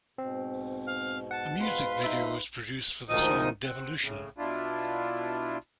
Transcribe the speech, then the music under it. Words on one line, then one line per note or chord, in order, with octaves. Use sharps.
A music video was produced for the song Devilution.
G#2 B2 C4
F5
F#5 A5
B4 F5 C6
D#4 E5
D2 G#2 D#3 F3 D#4 D#6
C4 F#5
A2 C#3
B2 D4 E4 F4